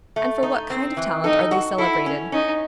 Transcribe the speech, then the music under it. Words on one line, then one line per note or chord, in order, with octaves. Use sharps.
And for what kind of talent are they celebrated?
A3
D#4
C4
E3
D#4 A4
F#4
E4 A4
C#4
C#4 D#4